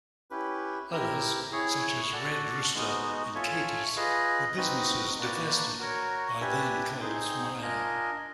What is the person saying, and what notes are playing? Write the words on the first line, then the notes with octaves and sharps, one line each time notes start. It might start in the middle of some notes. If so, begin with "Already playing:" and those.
Others such as Red Rooster and Katies were businesses divested by then Coles Myer.
C#4 E4 G4 B4
C4 E4 G4 A#4
E4 G#4 C#5
F#4 A4 D5 F#5
G#3 B3 D#4 F#4
F4 A4 C#5 E5 G#5
F4 G#4 B4 D#5
C4 D#4 F#4 B4
A#3 D4 F#4 B4 D5
F#4 A#4 C#5
D4 G4 B4 E5 G#5
C4 D#4 G#4 C5
D4 F4 A#4 D#5 G#5